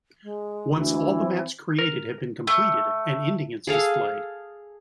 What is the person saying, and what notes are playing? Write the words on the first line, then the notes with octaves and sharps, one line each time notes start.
Once all the maps created have been completed, an ending is displayed.
G#3
D2 E3
C4
A#4
A3
G#4 A4 F5